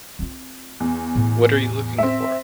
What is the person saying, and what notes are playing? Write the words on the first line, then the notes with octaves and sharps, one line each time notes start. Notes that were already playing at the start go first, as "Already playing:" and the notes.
What are you looking for?
C4 F4
E2
A2
C4 E5